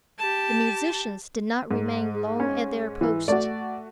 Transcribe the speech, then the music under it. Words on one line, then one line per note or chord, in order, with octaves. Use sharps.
The musicians did not remain long at their post.
G4 A5
G#2
C#4
E3
A3 F#4 D5